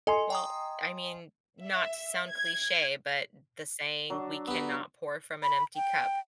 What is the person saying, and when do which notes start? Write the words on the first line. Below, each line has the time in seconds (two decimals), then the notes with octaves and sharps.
Well, I mean, not to sound cliche, but the saying "We cannot pour from an empty cup."
0.07 A4 D#5 G#5 C6
0.30 G5 A#5 D#6
1.65 E5
2.32 G#6
4.10 F#3 D4
4.48 B3 G4
5.43 B5
5.76 G5